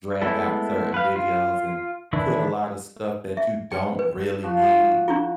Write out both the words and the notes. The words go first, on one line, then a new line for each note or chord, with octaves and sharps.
drag out certain videos and put a lot of stuff that you don't really need,
G#3 A3 B3 E4 A4
B4 F5
F4
D#3 E3 D4 E4
E5
G5
B4
F3 F#4
D4 E4 F4